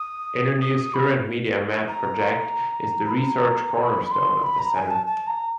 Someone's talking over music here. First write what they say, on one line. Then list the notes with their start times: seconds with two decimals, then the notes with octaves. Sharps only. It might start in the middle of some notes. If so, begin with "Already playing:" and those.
Internews' current Media Map project is the research cornerstone of the Center.
Already playing: D#6
0.62 D#6
0.77 D#6
0.94 B5
1.88 A#5
3.07 B5
3.16 A#5
3.79 B5
4.05 B5
4.11 C6
4.43 B5
4.59 A#5
4.75 G#5
4.90 A5
5.06 A5
5.27 A#5